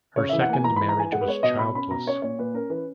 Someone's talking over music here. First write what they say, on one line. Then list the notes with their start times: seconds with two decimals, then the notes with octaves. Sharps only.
Her second marriage was childless.
0.16 C#3 C#5
0.29 E3 E5
0.41 F#5
0.49 A#3 G#5
0.64 E3 A#5
0.76 E3 B5
0.89 A#5
0.96 E3 G#5
1.12 G#3 F#5
1.21 B4
1.28 B3 C#5
1.43 B2 D#5
1.59 B2 B5
1.75 C#4 B5
1.91 B2 A#5
2.07 C#4 C#5
2.22 A#2 C#5
2.39 A#2 B4
2.54 C#4 A#4
2.70 E3 B4